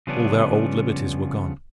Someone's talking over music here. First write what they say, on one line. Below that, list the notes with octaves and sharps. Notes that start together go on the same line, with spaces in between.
All their old liberties were gone.
C#3 F3 G3 B3 C#4 D4